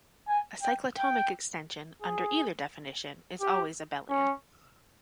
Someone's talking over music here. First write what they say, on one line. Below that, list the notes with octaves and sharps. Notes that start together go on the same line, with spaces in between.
A cyclotomic extension, under either definition, is always abelian.
G#5
G5
G5
G#4
G4
C#4